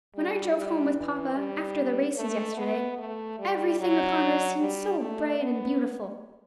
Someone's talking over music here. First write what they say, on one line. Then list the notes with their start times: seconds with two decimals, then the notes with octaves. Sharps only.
When I drove home with papa, after the races yesterday, everything upon earth seemed so bright and beautiful.
0.16 G3
0.56 G3
0.96 E3
1.36 G3
2.17 A3
2.57 B3
2.98 A3
3.39 G3
3.80 F#3
4.60 G3
5.00 A3
5.40 B3